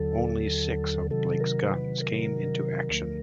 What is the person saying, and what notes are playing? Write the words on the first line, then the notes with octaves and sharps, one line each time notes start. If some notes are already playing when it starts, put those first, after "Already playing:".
Only six of Blake's guns came into action.
Already playing: D#2 D3 F#3 A4
C3 D#3 F#3 A4
A#4
B4
A#4
D2 D3 F3 A3